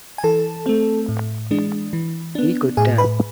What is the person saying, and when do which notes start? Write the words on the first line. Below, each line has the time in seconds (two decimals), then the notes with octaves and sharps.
He could tap.
0.18 G#5
0.24 E3 A4 A5
0.66 A3 C4
1.09 A2
1.51 E3 G#3 D4
1.93 E3
2.35 B3 D4
2.77 A2 G#4 G#5
2.98 B4 B5